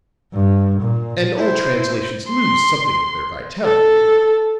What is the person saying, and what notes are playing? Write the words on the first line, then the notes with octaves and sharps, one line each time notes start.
"And all translations lose something of their vitality, you know."
G2
A#2
E4 C5
C6
A4